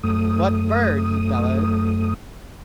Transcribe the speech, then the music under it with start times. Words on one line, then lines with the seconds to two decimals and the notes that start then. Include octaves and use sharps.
"What bird?" he bellowed.
0.03 F#2 A3 D#6